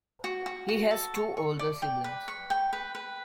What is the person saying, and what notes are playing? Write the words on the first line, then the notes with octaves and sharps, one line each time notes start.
He has two older siblings.
F#4
F#4
F#4
A4
C#6
C#6
D5
G5
B4
C#6
G5
B4
B4